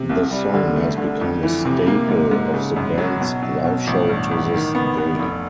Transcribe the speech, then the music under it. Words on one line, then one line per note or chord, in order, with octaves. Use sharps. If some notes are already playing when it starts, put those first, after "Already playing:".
The song has become a staple of the band's live show to this day.
Already playing: C3
C2
G3
D3
A3
D3
F2
E3
C3
A#3
G#2
G#2
C#3
F#2
F#3
B2
F#3
B2
A1
G2
A1
D#3
B3
B3
F1